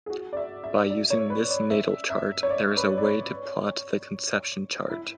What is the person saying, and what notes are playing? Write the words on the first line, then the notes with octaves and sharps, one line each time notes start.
By using this Natal chart there is a way to plot the Conception chart.
G#4
F#4
D5
E5
E5
D5
C#5
B4
D5
E5
E5
C#5
D5
B4
D5
C#5
E4